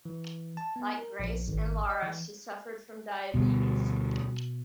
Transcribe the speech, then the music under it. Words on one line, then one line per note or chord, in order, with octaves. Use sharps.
Like Grace and Laura, she suffered from diabetes.
E3
A5
B3
A#4
A#1
G#1
D#5
E3
D2 B2 G3 B3